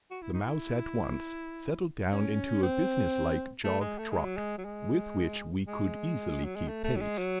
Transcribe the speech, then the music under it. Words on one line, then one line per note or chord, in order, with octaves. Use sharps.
The mouse at once settled down into a business-like jog-trot, with which we could easily keep pace.
F#4
E4
D#4
E4
C#4
C4
A3
G#3
A3
G#3
F#3
G#3
F#3
G#3
G#3
F#3
G#3
A3
A3
F#3
G#3
F#3